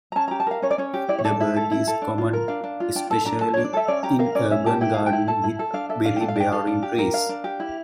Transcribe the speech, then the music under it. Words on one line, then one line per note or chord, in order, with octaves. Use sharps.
The bird is common especially in urban gardens with berry bearing trees.
A#5
C#4 A5
A#5
G4
A5
A#4 F5
C#4 C#5
D5
C#4 C#5
G4
E4 D5
C#5
A4 D5
E4 E5
A4
E4
A4
D4
F4
A#4
D4 F5
D4
F4
D4 G5
A4 A5
D4 A#5
A4 A5
C#5
D4
D5
A4 E5
C#4 D5
G4 A#5
A#4 F5
C#4 D5
C#4 E5
G4 A5
E4 G5
A4 F5
G5
E4
A4 A5
E4
A4
D4 F5
A4 E5
D4 F5
A4 G5
F5
D4 G5
A4 F5
D4
G4
A#4
D4 F5
D4
G4
E4